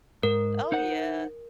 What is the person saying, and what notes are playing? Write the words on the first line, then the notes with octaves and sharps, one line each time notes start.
Oh, yeah.
G#2 A#4
D#4 C5 F#5